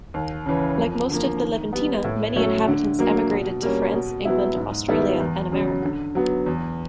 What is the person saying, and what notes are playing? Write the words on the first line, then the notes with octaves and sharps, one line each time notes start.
Like most of the Leventina, many inhabitants emigrated to France, England, Australia and America.
D#2
C#3 E3
F2
D3 F3 A#3
D#3
G3 B3
A2
F#3 A3 C#4
D3
F#3 A#3
B2
G3 A#3 C#4
B2
F#3 B3 E4
G#2
D#3 G3 B3 E4
E2
C#3 F#3
D3
F#3 B3
E2